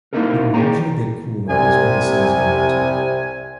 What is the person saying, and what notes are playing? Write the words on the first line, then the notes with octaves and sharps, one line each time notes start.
It will usually get cooler as one ascends the mountain.
A#3 D#4 E4 A4 A#4
G#4 C#5 D5 G5 A#5
C2 C3 G#5